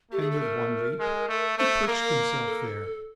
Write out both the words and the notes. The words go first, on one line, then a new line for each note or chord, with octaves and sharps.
And with one leap, he perched himself there.
A3 G4
G#4
A4
A#4
G#3
A3
A3 C5
A#3 A#4
A4